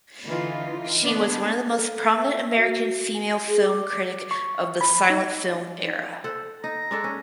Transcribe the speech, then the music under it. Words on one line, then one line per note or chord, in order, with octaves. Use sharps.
She was the most prominent American female film critic of the silent film era.
D3 E3 D#4 F4
B3 D4
A4
E5
F#4
G#5
G#4
D6
C#6
B5
D#4
A4 C5 F#5
D#4 A#5
G#3 D4 A4
C#4